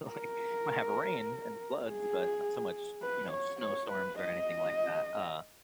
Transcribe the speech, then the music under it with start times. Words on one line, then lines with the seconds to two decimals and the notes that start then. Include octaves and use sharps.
like, might have rain and floods, but not so much, you know, snowstorms or anything like that. Uh,
0.11 A#4
1.86 G#4
3.03 B4
3.32 C#5
3.61 C#5
3.90 B4
4.19 D#5